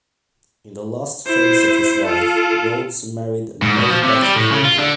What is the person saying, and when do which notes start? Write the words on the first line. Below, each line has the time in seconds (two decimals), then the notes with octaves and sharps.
In the last phase of his life, Rhodes married Mary Beth Coulter.
1.26 E4 C5
2.05 F4 A4
3.62 G#2
3.77 B2
3.91 F3
4.03 C3
4.22 G3
4.36 A2
4.52 C#3
4.65 F4
4.79 D3